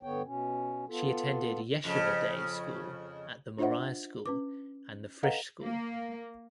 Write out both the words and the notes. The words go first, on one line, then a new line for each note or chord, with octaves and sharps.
She attended yeshiva day school at the Moriah School and the Frisch School.
G2 D3 B3 C#5 G5
B2 C#4
B3 F4 A4
F2 C#3
D4 F4 C5 D#5 E5 F#5
C#4 B4 D6
A4 B4 D#5 F5 F#5 A#5
A#3